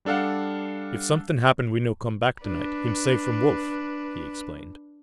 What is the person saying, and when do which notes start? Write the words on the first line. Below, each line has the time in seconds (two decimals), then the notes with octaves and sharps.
"If somethin' happen we no come back to-night heem safe from wolf," he explained.
0.05 G3 D4 A4 F5 F#5
2.43 D4 B4